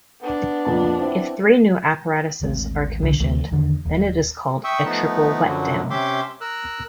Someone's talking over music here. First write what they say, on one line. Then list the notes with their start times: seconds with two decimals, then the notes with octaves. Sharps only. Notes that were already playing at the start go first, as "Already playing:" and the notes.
If three new apparatus' are commissioned, then it is called a "Triple Wetdown".
0.21 B3 D4
0.65 F2 A#2 A5
0.98 C4 E4
2.42 D#1 A1 G#3 C4
3.02 C2 D3
3.20 D2 E3 A3
3.51 E2 D3 D#3
3.85 D#1
4.64 E5 G5 C#6 D#6 E6
4.84 F3 A3 B3 D#4
5.43 F#2 D3 F3 F#3
5.90 C3 C#4 E5 G5 C6 D6
6.41 A#4 E6 F#6